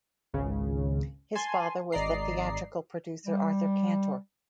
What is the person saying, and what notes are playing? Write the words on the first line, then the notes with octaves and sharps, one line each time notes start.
His father was the theatrical producer Arthur Cantor.
G#1 C#2 C#3
G#5 A5 C6
G#1 D5 D#5 A#5 C7
G3